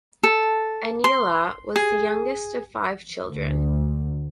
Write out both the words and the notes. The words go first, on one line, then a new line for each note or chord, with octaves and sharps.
Aniela was the youngest of five children.
A4
C6
G#4
D2